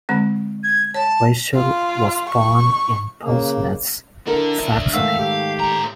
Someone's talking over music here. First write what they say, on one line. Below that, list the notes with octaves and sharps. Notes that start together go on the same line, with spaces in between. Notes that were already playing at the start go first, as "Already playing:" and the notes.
Rietschel was born in Pulsnitz, Saxony.
D3 G#3 C4
G#6
C#5 A5
F4
C#6
C#3 A#3
D3 E4 A4 A#4
D4 E5
G#2 D#3 A3 E5 F5
G4
A2 A#5